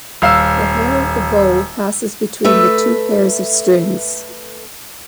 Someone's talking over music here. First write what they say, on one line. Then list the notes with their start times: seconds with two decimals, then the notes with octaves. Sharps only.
The hair of the bow passes between the two pairs of strings.
0.22 D#1 F5 E6
2.44 A3 B4 E5